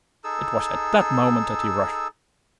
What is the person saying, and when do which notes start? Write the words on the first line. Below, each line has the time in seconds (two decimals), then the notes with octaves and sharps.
It was at that moment that he rushed me.
0.24 D#4 G#4 A4 E6